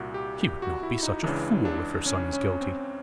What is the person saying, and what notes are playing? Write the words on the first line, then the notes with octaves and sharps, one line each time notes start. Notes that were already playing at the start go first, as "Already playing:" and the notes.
"She would not be such a fool, if her son is guilty."
Already playing: C2 A#2 F#4
G4
G4
F#4
E4
D#4
C#2 C#3 E3 D4
D4
C#4
C#4
C4